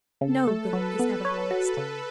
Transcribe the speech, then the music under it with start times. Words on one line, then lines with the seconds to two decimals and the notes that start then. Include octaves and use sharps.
No good is ever lost.
0.21 C#3 A4
0.47 A3
0.60 B4
0.73 F#3
0.99 B3
1.25 C#5
1.51 F#4
1.77 C#3